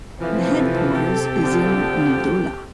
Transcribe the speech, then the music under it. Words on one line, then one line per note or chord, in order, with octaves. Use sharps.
The headquarters is in Ndola.
C3 E3 F3 A4
G4
D3 F3